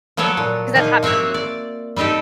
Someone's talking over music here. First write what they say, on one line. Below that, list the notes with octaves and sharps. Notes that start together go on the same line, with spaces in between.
'cause that's happened to me
F3 F#3 B3 A4 C#5 D5
A#2
F3 A#3 D#4
A#3 C4 F#4 C#5 E5
D5
G3 C4 D#4 G4 A4